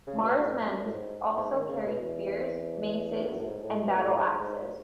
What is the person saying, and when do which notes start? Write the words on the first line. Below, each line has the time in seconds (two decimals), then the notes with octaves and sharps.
Mar's men also carried spears, maces and battle axes.
0.07 C#3
0.23 B2
0.39 A2
0.55 F#2
0.72 F#2
0.85 A2
0.94 G#2
1.37 G#2
1.52 D#3
1.69 C#3
1.86 B2
2.01 E2
3.24 E2
3.31 F#2
3.39 A2
3.47 G#2
3.63 A2
3.86 B2
3.96 A2
4.18 G#2
4.40 G#2